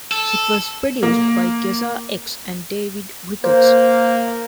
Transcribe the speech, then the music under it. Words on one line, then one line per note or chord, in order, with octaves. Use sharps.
It was produced by Geza X and David Ricketts.
A4
A#3
A#3 C5